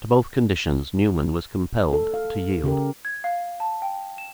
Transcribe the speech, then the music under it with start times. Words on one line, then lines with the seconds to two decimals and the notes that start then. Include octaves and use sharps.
To both conditions, Newman was compelled to yield.
1.93 A4
2.14 F5
2.64 C#3 G4 A#4
3.05 G#6
3.24 F5
3.60 A5
3.82 G5
4.18 E7